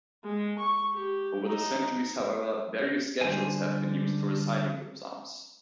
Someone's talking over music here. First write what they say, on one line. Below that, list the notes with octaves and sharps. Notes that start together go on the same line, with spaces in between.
Over the centuries, however, various schedules have been used for reciting the psalms.
G#3
C#6
G4
D#4
D3 G3 B4 C5 G#5